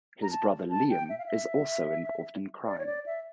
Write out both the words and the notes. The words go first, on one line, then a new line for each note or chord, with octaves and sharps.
His brother Liam is also involved in crime.
A#5
A5
A5
G5
E5
F5
E5
D5
C#5
D5
E5